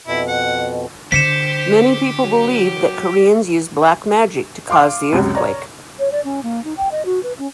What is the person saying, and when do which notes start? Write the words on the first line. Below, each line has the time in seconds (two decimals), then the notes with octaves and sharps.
Many people believed that Koreans used black magic to cause the earthquake.
0.07 F2 B2 E4
0.28 F#5
1.12 D3 G4 C5 B6 C#7 E7
2.23 F#3
4.70 F5 C6 D6 F6
5.13 C#2 F#2 C3
5.35 C#5 D5 A#5
5.99 C#5
6.12 D5
6.24 C#4
6.43 A#3
6.64 D#4
6.77 G5
6.91 D#5
7.05 F#4
7.23 B4
7.39 C#4